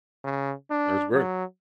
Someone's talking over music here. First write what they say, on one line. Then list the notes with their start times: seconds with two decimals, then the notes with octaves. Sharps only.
that's great.
0.25 C#3
0.71 D4
1.14 F#3